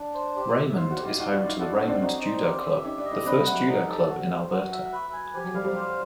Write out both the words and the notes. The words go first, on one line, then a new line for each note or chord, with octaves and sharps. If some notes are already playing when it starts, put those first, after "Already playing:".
Raymond is home to the Raymond Judo Club, the first Judo club in Alberta.
Already playing: D4
C5
G4
E5
D#4 F4 C5
E4 F#4
G4
D#4 F4
D#4 F4 F#4
D4 E4
D5
D#4 F4
E4 F#4 A4
C#4 D#4
F#4
C4 D4
C4 D4 D#4
C5
G4
E5
C#4 D#4 G4
D4 E4
D#5
D4 E4
C4 D4 B4
G3 A3
F#5
F#3 G#3
F3 G3 D#4
A4
F#4
C5
F#3 F#4
E5
B4
G#5
F3 G4
F#3
F3 G3 F5
F3 G3
C5